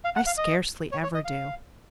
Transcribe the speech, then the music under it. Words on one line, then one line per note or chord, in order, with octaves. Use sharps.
I scarcely ever do.
F5
F#5
F5
D#5
C#5
C#5
D#5
F5